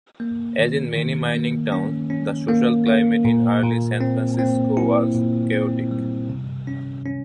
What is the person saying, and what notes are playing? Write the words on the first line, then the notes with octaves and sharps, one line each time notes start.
As in many mining towns, the social climate in early San Francisco was chaotic.
A#3
D#3
D#3
A#3
C#4
C#4
A#3
A#3
A#2
A#2
C4
C4
E4
A#2
C4
G3
C3
C#4
C#4